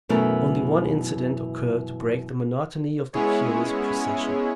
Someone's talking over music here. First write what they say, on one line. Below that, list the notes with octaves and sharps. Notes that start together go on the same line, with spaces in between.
Only one incident occurred to break the monotony of the curious procession.
F#2 B2 E3 A3 A#4
G#3 B3 C#4 E4 G#4 C#5